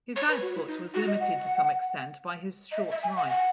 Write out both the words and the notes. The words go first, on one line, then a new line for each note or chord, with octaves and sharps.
His output was limited to some extent by his short life.
C#5
B4
F#4
E4
D#4
F#4
D#5
F#5
D#5
E5
E5
G#5
F#5
F#5